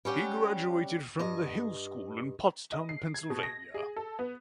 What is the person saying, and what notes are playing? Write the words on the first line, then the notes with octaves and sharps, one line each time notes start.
He graduated from The Hill School in Pottstown, Pennsylvania.
G3 C#4 G4 F#5
G2 D#5
D#5
C7
G#6
B2
A#6
G#4
A4
B3